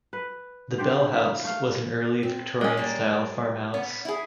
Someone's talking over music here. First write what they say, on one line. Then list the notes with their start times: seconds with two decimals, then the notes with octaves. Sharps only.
The Bell House was an early Victorian style farm house.
0.13 B4
0.78 D3 G4 C5
1.12 A#3 E4
1.44 A3 F5
2.23 C4
2.61 G#3 C#4
2.77 G3 A#3
3.74 B3 C#4
4.05 E4 G#4